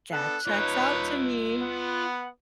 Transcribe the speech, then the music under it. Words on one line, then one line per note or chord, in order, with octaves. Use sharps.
That checks out to me.
B3 D4 A4 F#6
D#4 F4 B4 C#5 D#5
B3 F#5